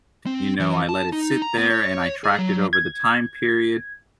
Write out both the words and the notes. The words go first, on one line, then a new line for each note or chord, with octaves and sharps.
you know, I let it sit there, and I tracked it over the time period,
C4
E3
A5
D#4
A#5
B3
C#5
G#4
F#3
G#6